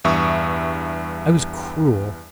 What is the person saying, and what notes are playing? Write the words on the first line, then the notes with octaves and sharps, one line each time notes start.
I was cruel!
E2 G2 E5 C#6 D#6